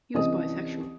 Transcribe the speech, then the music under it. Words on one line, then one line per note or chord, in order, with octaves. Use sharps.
He was bisexual.
C2 E3 C#4 D#5 D#6